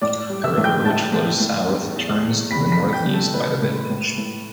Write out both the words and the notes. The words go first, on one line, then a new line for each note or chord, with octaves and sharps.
The river, which flows south, turns to the north-east by the village.
A2 D5 D6
G3
E5 E6
A2
G5 G6
A2 A5 A6
A2
A2
E2
E2
E2
E2 B5 B6
B5 B6
E3
G5 G6
G3
A4 A5
A2 B4 B5
A2
A2
A2